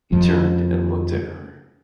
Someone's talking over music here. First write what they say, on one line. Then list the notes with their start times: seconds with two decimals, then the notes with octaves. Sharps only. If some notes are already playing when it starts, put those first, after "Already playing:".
He turned and looked at her.
0.12 F2 F3